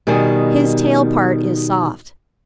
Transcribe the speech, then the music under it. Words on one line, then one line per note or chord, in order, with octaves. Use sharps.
His tail part is soft.
B2 D#3 G3 G#4